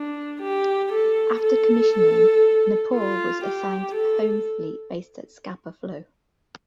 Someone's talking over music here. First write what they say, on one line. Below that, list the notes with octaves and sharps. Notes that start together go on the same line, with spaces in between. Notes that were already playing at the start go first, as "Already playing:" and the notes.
After commissioning, "Nepal" was assigned to the Home Fleet, based at Scapa Flow.
Already playing: D4
G4
A4
A4
F4
G4
A4